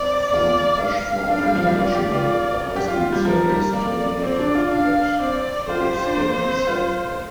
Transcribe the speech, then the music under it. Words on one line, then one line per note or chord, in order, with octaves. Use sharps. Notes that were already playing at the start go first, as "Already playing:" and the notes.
From Ashford International, the High Speed service terminated at Folkestone Central.
Already playing: C4 D5
F4 D5
F5
D4
G3
F3
G3
F4 D5
G4
F4
G4
F4
F4
G3
F3 A#4
G3
A#3 D5
C4 D5
D4
F4
D4 F5
C4 D5
F4 C5
G4
F4
D4
A#3
C4
F4